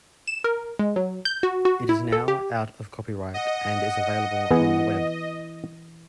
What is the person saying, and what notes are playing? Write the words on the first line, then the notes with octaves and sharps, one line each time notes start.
It is now out of copyright and is available on the web.
E7
A#4
G#3
F#3
G6
F#4
F#4
E4
A4
G4
D#5 F#5
E3 B3 G#4